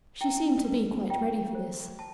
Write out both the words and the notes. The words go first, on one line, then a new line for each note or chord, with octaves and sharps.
She seemed to be quite ready for this.
E4 G5
B4
F4 G5
C5
A5